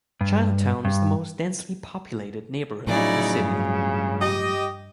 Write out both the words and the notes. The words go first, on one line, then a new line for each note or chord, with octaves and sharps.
Chinatown is the most densely populated neighborhood in the city.
G2
G2
A2 C#3 F3 F#3 D#4 E4 D5
G2
G4 D#5